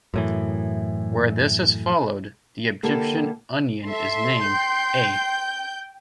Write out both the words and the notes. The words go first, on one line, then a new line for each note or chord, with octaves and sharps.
Where this is followed, the Egyptian onion is named A.
F#2 A2 E3
D3 A#3 E4 G4 A4
A4 E5 C6
G5 G6